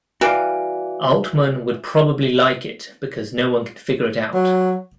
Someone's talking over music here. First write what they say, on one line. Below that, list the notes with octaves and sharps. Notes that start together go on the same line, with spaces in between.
Altman would probably like it because no one can figure it out.
E3 G3 F#4 D5 F5
F#3